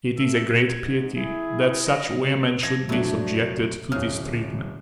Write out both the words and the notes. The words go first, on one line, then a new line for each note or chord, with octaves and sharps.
It is a great pity that such women should be subjected to this treatment.
A3 E6
E2 G#6
G#2
E4 G#4
D#5
F3 G#6 A#6
F2 C3 F#3 A3 D4
D1 C#3 F6